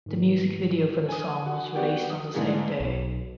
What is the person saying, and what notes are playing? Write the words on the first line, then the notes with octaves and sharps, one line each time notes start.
The music video for the song was released on the same day.
G#2 D#3 E3
G#5 D#6
F#4
B3 F#4 G4 D5 G5
D#6
G#2 D3 E3 A3 A#3 G#4
B1